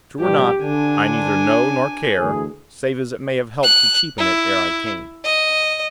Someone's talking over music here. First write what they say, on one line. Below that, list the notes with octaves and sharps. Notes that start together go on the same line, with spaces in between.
True or not, I neither know nor care, save as it may have helped to cheapen it, ere I came.
A#1 G2 G4
D3 D4 G#5
D2 E3 G#4
F#6
E4
D#5